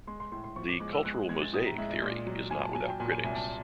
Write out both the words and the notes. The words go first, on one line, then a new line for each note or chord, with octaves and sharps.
The "cultural mosaic" theory is not without critics.
G#3 C6
C6
A2 C6
C6
F3 C#6
D6
G#3 D6
E6
G#3 F#6
G#3 G#6
A6
A2 D#6
A#5
G#3 E5
D#5
A#2 D5
F#3
A#2 G#5
A5
F#3 G#5
G5
A#2 G#5
G#5
C2 G#5
A5